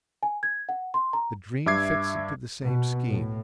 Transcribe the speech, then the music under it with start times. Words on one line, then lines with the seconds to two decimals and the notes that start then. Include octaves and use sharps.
The dream fits into the same scheme.
0.23 G#5
0.43 G#6
0.69 F#5
0.94 C6
1.13 A#5
1.66 G2 E5 D6 G#6 C7
2.63 B2
3.08 A2